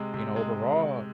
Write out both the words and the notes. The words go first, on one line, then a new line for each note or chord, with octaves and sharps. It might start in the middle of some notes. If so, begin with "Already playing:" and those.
you know, overall
Already playing: C3 G#3
C3
G#3